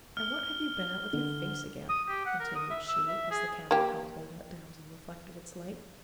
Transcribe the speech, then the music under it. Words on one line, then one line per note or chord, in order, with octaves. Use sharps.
"And what have you been at with your face again?" continued she, as the candle held by that damsel reflected its light.
F6 G7
D3
D#6
G4
F#5
A#4
D#6
E5
E6
E5
G#4
A#3 G4